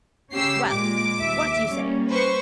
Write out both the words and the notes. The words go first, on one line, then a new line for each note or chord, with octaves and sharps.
Well, what do you say?
C#3 C#4 G4 E6 C7
A#2 G#3 D6 D7
D#2 E5
G3 A#3 C#4
B4 C5 C#6